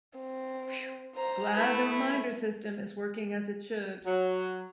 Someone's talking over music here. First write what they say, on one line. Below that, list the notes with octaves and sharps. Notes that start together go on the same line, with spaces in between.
Phew! Glad the reminder system is working as it should.
C4
C5 A#5
A3 E4 B4
F#3